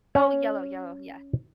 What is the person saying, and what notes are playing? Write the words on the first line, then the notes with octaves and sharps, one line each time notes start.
Oh, yellow, yellow, yes.
C#4